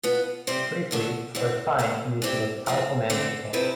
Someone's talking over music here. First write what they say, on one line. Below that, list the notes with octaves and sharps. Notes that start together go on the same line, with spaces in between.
Briefly, for a time he was the most powerful man in Japan.
B2 B3 F4
C3 G3 C4 G4 C5
G2 D3 A3
E2 D3 A3 C4
D2 D3 A3
A2 G3 C4 E4 G4
E2 D3 F3 A3 C4
D2 D3 A3 C4
C3 F3 C4 E4 B4